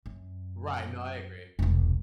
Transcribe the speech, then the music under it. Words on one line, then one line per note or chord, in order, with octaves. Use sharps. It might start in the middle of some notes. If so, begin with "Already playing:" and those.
Right, no I agree.
F#2
E1 C2